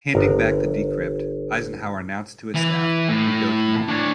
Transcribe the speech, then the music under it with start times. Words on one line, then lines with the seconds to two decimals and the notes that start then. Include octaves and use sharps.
Handing back the decrypt, Eisenhower announced to his staff, We go tomorrow.
0.14 G1 A#4
2.54 E3
3.09 A2
3.88 D4 C#5